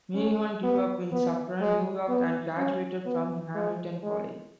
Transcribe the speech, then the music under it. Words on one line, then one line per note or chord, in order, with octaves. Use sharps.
Meehan grew up in Suffern, New York, and graduated from Hamilton College.
C#4
B3
B3
G#3
B3
C#4
B3
G#3
G#3